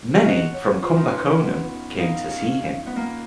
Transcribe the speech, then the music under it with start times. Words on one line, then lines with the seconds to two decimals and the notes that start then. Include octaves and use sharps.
Many from Kumbakonam came to see him.
0.23 F#4 D#5
0.53 C#5
0.82 F4 B4 C#5
0.97 D#4
1.11 C#4
1.26 C#4
1.41 B3
1.99 D#4 F5
2.28 C#4
2.87 B3
2.96 A#3